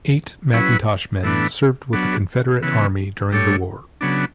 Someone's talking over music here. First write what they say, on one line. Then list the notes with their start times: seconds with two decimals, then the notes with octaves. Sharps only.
Eight McIntosh men served with the Confederate Army during the war.
0.53 F#3 C#4 E4 B4
1.23 A2 E3 B3 D4
1.93 F#3 B3 D4
2.62 C#3 E3 B3
3.32 A2 G3 D4 A4 C#5
4.01 C#3 F#3 B3 D4